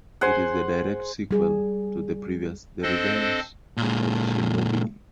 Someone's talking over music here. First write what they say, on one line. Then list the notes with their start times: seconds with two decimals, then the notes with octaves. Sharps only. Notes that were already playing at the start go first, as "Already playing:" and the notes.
It is the direct sequel to the previous "The Revenge of Shinobi".
0.21 G#4 C5 F#5 G#5 C6
1.31 G3 G#4
2.83 C4 D4 A4 C5 D#5
3.77 A#2 G#3